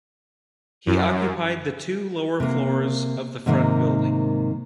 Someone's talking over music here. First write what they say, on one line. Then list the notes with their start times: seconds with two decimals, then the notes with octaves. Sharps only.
He occupied the two lower floors of the front building.
0.86 F#2
2.40 C3 A#3
3.46 G#2 C3 D#3 A#3